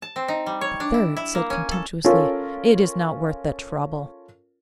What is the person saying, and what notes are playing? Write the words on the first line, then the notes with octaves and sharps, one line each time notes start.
But the third said contemptuously, 'It is not worth the trouble!
A5
C4
D#4
G3
C#5
D4
E4
E4
A#3
C#4
A4
C#4 F4 A4 A#4